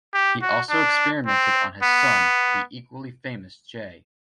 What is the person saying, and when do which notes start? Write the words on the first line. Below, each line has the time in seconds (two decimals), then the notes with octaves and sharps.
He also experimented on his son, the equally famous J.
0.14 G4
0.42 F#4
0.70 D4
1.26 C4
1.83 B3